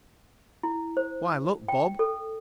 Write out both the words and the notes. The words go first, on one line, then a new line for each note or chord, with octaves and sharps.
Why, look, Bob.
E4
C5
G5
A4